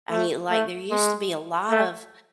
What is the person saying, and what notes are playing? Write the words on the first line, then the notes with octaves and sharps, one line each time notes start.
I mean, like, there used to be a lot of
A3
A3
G#3
A3